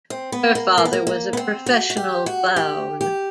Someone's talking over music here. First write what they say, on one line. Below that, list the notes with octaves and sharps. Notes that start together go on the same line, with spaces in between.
Her father was a professional clown.
C4
B3
A#3
A#3
B3
A#3
A#3
B3
C4
F#4
F#4
G4
F#4
G4
G4